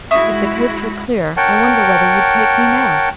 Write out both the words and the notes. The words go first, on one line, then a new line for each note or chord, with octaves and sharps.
"If the coast were clear I wonder whether you'd take me now."
G#3 E4 F#4 E5 C#6 D#6
A#4 C#5 F#5 G5 A5